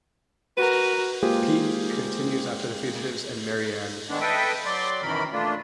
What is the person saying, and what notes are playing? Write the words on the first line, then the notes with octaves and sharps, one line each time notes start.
Pete continues after the fugitives and Marianne.
F#4 A#4 B4
G#3 A#3 F4 G4 G#4 C5
D3 D#3 G#3 B3 D4
A4 B4 D#5 E5 G5
F#3 D5 C6
F#2 B2 D#3 E3 A#4 B5
A3 A#3 D4 F4